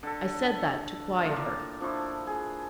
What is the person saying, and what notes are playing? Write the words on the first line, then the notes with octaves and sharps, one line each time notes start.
I said that to quiet her.'
D3 A4
A2 A#3 F4 A#4
F3 D4 E4 C#6
G#4